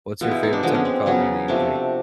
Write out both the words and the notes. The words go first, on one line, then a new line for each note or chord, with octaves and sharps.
what's your favorite type of coffee that you drink?
B2 G#3 B3 F4
E4
D#4
D4
D3 F3 G#3 B3 D4
C#4
C4
C#3 F#3 B3 C#4
C3 F3 A3 D4